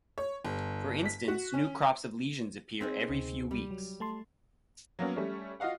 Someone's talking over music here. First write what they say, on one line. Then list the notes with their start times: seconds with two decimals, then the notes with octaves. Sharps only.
For instance, new crops of lesions appear every few weeks.
0.18 C#5
0.45 G1
1.05 B6
1.28 F#4
1.54 C#4
2.81 C4 D#4 G#4
3.09 D2 C3
3.51 G3
3.71 F#3
4.00 A3 A5 C6
4.99 F#3 A#3 B3 C#4
5.16 G3 A3 C#4
5.60 F4 F#4 D#5 F5 F#5